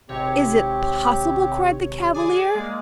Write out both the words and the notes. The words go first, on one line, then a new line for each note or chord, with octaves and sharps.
"Is it possible?" cried the Cavalier.
G#1 C3 C4 G4 C#5
G#4 D5 G#5 D6
G#3 A#3